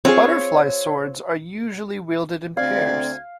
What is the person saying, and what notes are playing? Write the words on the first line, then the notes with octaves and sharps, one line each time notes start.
Butterfly swords are usually wielded in pairs.
C4 F4 G#4 C#5
D2 C4 D5 F5 G#6